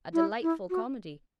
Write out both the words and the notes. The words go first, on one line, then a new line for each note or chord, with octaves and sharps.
A delightful comedy.
E4
E4
F#4